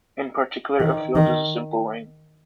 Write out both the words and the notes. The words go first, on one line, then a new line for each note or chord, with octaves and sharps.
In particular, a field is a simple ring.
D#3
D#3